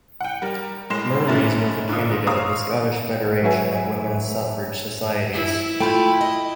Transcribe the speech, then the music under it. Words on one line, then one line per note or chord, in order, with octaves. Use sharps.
Mirrlees was the candidate of the Scottish Federation of Women's Suffrage Societies.
F#5 G5
G3 A#4
A2 G#3 A#4 C6 E7
F#1 G#2 C#4 E4 A#5 A6
G#2 D3 F4 D#6
C5 C#5 F5 A#5 D#6 E6
F#3 B4 E5 G#5
E4
A3 F4 G5 B5
D#5